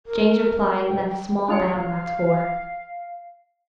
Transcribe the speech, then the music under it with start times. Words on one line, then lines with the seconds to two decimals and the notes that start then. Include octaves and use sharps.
Jane's reply left small doubt on that score.
0.06 A#4
0.86 G5
1.48 D4 F4 C#5 F5